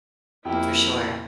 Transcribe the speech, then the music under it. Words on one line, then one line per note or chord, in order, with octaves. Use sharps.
For sure.
F2 A#3 E4 G4 G5